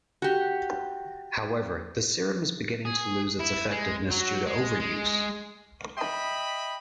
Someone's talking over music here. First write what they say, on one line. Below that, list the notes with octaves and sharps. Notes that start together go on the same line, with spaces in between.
However, the serum is beginning to lose its effectiveness due to overuse.
F#4 G4
G#4
E4
G#3
F#3
G#3
G#3
D#5 E5 G5 B5